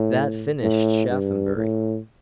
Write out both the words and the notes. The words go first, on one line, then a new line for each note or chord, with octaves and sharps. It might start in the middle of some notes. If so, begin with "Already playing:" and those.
That finished Shaphambury.
Already playing: A2
A2
G2
A2